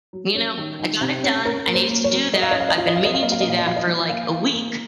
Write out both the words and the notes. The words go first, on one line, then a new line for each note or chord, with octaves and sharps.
you know, I got it done, I needed to do that, I've been meaning to do that for, like, a week,
F#3
C#4
D#3
D#3
C3
C#4
C#4 A#4
A#3 A#4
C5
A#3
C#5
F#3
F#3 D#5
F5
D#5
C#4 F5
D#5
F4 F5
D#5
F#3 F5
D#5
F5
A#3 D#5
F5
A#2 D#5
F5
D#5
F3 F5
D#5
F3
A#3 F5
A#3
A#3